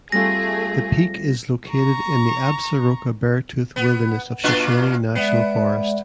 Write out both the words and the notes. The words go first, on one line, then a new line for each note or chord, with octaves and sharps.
The peak is located in the Absaroka–Beartooth Wilderness of Shoshone National Forest.
G3 A3 C4 F4 G#4 A#6
A#5 C#6
B3
A#2 D4 F4
G#3 B3 D5 E5